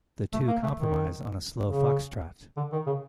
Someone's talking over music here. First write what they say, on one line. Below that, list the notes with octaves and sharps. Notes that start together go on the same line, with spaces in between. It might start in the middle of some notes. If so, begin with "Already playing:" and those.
The two compromise on a slow fox-trot.
A3
A#3
A3
D#3
C#3
D3
D#3
C#3